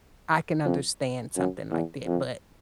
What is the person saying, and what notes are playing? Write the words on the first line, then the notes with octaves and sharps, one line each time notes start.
I can understand something like that, but
F2
F#2
E2
F2